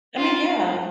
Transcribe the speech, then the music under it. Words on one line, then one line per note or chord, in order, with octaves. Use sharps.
I mean, yeah.
F4